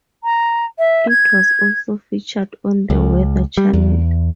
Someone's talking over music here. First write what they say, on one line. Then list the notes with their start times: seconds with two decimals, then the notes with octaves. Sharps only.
It was also featured on the Weather Channel.
0.24 A#5
0.79 E5
1.09 G#6
2.90 C#2
3.57 G3
3.73 E2